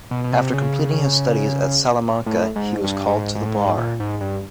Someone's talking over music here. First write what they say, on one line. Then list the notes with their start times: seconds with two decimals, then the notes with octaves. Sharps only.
After completing his studies at Salamanca he was called to the bar.
0.11 B2
0.24 B2
0.32 C3
0.53 C#3
2.26 A2
2.56 G#2
2.84 G2
3.08 G2
3.13 G#2
3.35 G#2
3.46 A2
3.56 G#2
3.77 A#2
4.00 G#2
4.21 G2